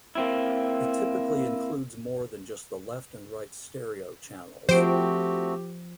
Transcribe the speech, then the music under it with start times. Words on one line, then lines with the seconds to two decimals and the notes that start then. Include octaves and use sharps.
It typically includes more than just the left and right stereo channels.
0.15 A#3 C4 E4
4.69 F3 A3 C4 F#4 G4 C5 D7